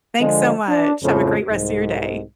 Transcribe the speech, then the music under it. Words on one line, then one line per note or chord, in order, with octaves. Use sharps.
Thanks so much, have a great rest of your day.
D3 F3 G#3
D4
F2 A2 C#3 F3
C2 G#2